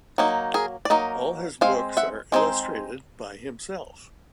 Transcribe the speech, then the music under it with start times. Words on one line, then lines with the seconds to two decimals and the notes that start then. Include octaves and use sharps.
All his books are illustrated by himself.
0.18 F#3 A#3 D#4
0.54 G#4 A#4
0.85 D5
0.90 F#3 A#3 D#4 D#5
1.61 G#3 C4 F5
1.97 E5 F#5
2.32 G#3 C4 D#4